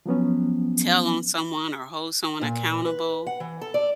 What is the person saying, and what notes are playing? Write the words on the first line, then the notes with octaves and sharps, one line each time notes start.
tell on someone or hold someone accountable,
F3 F#3 B3 C#4
A#2
B4
F#5
E3
A4
D5